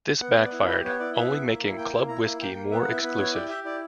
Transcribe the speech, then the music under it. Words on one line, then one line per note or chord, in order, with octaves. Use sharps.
This backfired, only making Club Whisky more exclusive.
B3 F#5
E5
B3
D5
E4
G4 B4
B3 C#5
E4 D5
B3 E5
E4
A#3
E4
A#3 G5
E4
E4 A#5
A#3
A#3 G5
A#3
B3 E5
F#5
E4 E5
B3 B4
E4 C#5
G4 D5
G4 E5
E4 D5